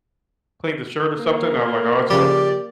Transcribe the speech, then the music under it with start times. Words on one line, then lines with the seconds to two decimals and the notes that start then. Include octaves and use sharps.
clean the shirt or something?" I was like, "No, it's alright."
1.18 A#3
2.10 C#3 F3 G4 D5